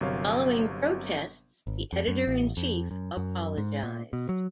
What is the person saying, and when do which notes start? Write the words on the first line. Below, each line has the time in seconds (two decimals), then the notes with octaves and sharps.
Following protests the editor-in-chief apologized.
0.01 G1 C3 F#3 A#4 C#5 F5
1.67 G#1
1.93 F2
2.08 F#2
2.27 A1
2.57 F2
2.91 F#2
3.17 F#2
3.58 G#2
3.83 A#2
4.13 B2
4.29 F#3